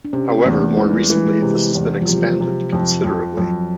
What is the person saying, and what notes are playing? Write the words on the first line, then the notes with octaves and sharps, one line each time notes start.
However more recently this has been expanded considerably.
D4
C3 C#4
C4
A#3
E2 A3
A3
E3 G#3
G3
E3 G#3
G#3
C3
E2
F3
C3 F#3
C3
F2
F2
F2 F#3